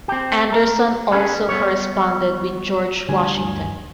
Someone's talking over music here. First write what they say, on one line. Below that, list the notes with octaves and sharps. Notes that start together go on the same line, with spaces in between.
Anderson also corresponded with George Washington.
C4 G4
A#4
C#4 D4 G#4 A4 B4
G3 B3 C#5
D2 G2 G#5